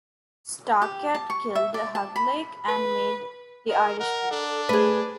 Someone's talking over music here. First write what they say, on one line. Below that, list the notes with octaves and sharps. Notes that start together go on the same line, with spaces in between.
Starkad killed Hugleik and made the Irish flee.
G4
A5
C#6
E5
D5
A5
B5
B4
A#4 D#5
A#4 F#5
D4 A4
A3 G#4 B4